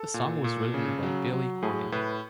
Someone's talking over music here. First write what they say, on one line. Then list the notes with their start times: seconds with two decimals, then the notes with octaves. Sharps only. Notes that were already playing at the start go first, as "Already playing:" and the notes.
The song was written by Billy Corgan.
Already playing: A4
0.14 A#2
0.44 A#2
0.74 C#3
1.03 F#3
1.33 F#3
1.62 A2 G#4
1.92 A2 B4